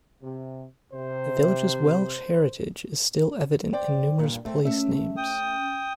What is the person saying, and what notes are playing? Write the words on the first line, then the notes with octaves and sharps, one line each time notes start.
The village's Welsh heritage is still evident in numerous place names.
C3
C3 C5
C5 D5 G5
G2 A#2
A3 C4
A3 C#4 E5
G5 D#6